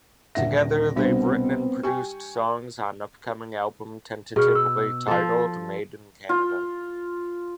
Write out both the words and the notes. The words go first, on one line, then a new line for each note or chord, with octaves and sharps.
Together, they've written and produced songs on upcoming album, tentatively titled: "Made In Canada".
D#1 D3 E5 F#5 A#6
C2 B2 G3 B3 C4 D4 C5
G4 G5 G#5 C#6
B2 G#4 C#6 F6
E6
F3 A4
F4